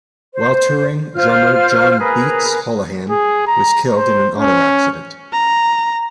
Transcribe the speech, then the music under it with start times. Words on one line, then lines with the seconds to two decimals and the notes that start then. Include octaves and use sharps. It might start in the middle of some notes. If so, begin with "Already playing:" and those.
While touring drummer John "Beatz" Holohan was killed in an auto accident.
0.33 C5
1.14 F4 C5 F6
1.98 G#4 A#4 B4
3.09 G#4
3.47 A#5
3.97 C5
4.38 C#4
5.32 A#5